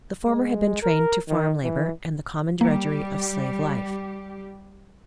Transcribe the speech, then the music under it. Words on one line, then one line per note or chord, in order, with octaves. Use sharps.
The former had been trained to farm labor and the common drudgery of slave life.
G#3
A#4
D#3
E3
G3 A#3 G4